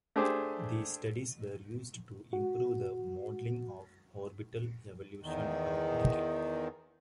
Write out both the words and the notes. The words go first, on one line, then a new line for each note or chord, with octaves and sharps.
These studies were used to improve the modelling of orbital evolution and decay.
A3 D4 G4 G#4 C5
F#4 F#5
E2 D#3